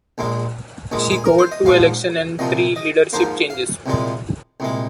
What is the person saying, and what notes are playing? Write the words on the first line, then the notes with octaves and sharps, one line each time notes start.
She covered two election and three leadership changes.
A#1 A#2 G#3
A#1 A#2 G#3
G#4
A#4
C5
D#5
A#1 G#2 F3 F5
C2 A#2 F3 D#5
D#5
G#2 F3 A#3 C5
F5
C2 A#2 F3 G#3
C2 A#2 G#3